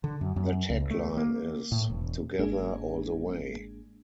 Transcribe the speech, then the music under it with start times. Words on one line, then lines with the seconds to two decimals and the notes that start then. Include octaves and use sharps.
Their tag line is 'Together, all the way.
0.04 D3
0.21 F#2
0.36 F#2
0.70 C#2
0.91 A3
1.17 A#3
1.72 A2
1.90 E1
2.38 G1 G#2 G#3 A#3 D4 G#4